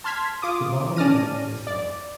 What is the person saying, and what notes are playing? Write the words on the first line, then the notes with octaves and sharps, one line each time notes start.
The bottom line is love.
A5 C6 F6 G#6 B6
F4 D6 D#6
C#4 D5 A5 F6 A#6 D#7
D5